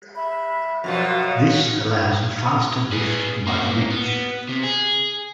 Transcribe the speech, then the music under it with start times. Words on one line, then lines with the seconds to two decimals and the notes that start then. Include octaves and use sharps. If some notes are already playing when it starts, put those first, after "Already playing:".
This allows a faster lift by the winch.
0.16 E5 B5
0.84 F#2 B2 F3 F#4
2.92 G#4 B4
3.47 A#3 C#4
3.90 B3
4.49 C3
4.63 G#4